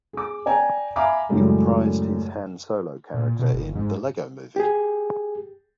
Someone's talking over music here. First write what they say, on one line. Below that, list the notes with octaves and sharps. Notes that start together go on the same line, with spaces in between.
He reprised his Han Solo character in "The Lego Movie".
G#4 D6
D5 G5 G#5 A#5
E5 F5 G#5 A#5 B5 D6
F#2 A2 C#3 G3 G#3
A#2
B2
G1
G#2
G4 G#4